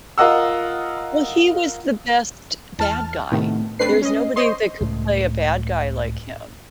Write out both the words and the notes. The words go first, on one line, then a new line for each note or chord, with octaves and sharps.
Well, he was the best bad guy, there's nobody that could play a bad guy like him,
F4 A#4 D#5 F#5 E6
E2 A5 F6
A2 C3 D#3 A3 B3
A3 C4 D4 B4 C7
C#4 D#5
C5 C#5 D#5 C6
C#2 A2